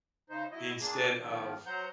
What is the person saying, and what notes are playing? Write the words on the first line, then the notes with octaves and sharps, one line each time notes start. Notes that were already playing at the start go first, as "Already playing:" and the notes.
instead of,
C#3 D#4 C5
F#3 E4 D#5
A#2 A#3 D4 G#4
A2 D#3 F3 B3
F#3 C5 F#5 A#5 G6